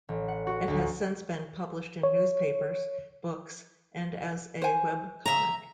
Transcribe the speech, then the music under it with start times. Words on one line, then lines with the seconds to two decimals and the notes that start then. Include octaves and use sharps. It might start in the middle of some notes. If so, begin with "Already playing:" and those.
It has since been published in newspapers, books, and as a webcomic.
0.09 A1
0.28 F#5
0.47 F#4
0.68 D2
2.03 C#5
4.62 C5 G#5
5.26 E5 A#5